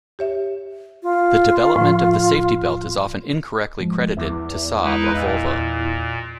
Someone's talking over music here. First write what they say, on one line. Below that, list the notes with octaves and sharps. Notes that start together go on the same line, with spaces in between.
The development of the safety belt is often incorrectly credited to Saab or Volvo.
G4 C#5 E5
F4
A2 F3
G#2 F3 G#3
E2 E5 D6
G#3 D#4 E4 B4 D#6
A#2 D#5 F5 E6